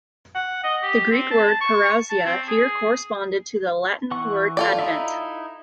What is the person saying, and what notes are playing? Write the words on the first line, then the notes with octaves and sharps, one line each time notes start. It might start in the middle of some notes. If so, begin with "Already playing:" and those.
The Greek word parousia here corresponded to the Latin word advent.
F#5
D#5
G4
C4
A5
C#6
A5
C4
G#4
E3 F#5 C#6
F4 A4 D5
D#4 E4 E5